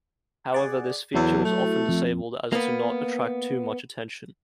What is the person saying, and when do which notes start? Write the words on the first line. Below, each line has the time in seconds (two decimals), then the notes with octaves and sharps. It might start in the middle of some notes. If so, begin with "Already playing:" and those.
However, this feature is often disabled as to not attract too much attention.
0.52 G#4 D5 F#5
1.14 E2 F#3 E4 A4
1.44 A3
1.89 F2
2.53 A#3 B3